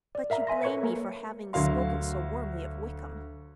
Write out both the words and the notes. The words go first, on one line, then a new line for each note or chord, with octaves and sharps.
"But you blame me for having spoken so warmly of Wickham?"
D5
A#4 E5 F5 A#5
E5 G#5 C6 A#6
A4 B4 C#5 C#6 G#6 C#7
A#3 A#4 A#5
D2 F#3 F5 C6